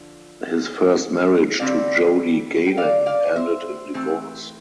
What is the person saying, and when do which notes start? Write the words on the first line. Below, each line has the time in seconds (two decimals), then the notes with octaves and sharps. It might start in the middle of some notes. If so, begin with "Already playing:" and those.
His first marriage to Jody Gaylin ended in divorce.
Already playing: D3 F3
1.60 D3 G3 C4 D5 F5
2.67 G5
2.77 D5 F5
3.06 D5 F5
3.36 C5 E5
3.94 E3 A3 C4